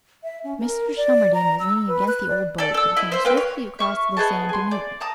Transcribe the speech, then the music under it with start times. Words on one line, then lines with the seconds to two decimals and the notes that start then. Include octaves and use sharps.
Mr. Shelmardine was leaning against the old boat, but he came swiftly across the sand to meet me.
0.24 E5
0.44 C#4
0.59 A#4
0.97 D5
1.34 A#5
1.60 E6
1.88 B4
2.08 F#6
2.29 D5
2.58 A4 D5
2.74 A4 E6
2.97 E4 D#5
3.12 C5 E5
3.25 A#3 B4 G5
3.37 C#5
3.79 E5 C#6 F6
4.17 B3 G#4 D#5 A5
4.49 G#5 C6
4.71 D5
5.01 A5 A#5 D#6